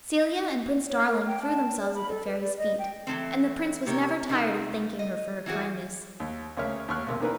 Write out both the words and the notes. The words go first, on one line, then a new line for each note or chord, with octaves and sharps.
Celia and Prince Darling threw themselves at the Fairy's feet, and the Prince was never tired of thanking her for her kindness.
C#5
A#4
G5
A5
D5
B5
A4
B4
D5
D#5
G5
E3 F3 A3 C4
C3 G4 A#4 C#5
C3 A3 D#4 F#4 A#4 G#5
D#5
E3 E4 F#4 G#4
D#2
D2 C#3 A#3 C#5 E5 F6
D#2 C#5 C#6 F6 F#6
B1 C3 A#3
E2 D#3 A#3 C4 A#4 B4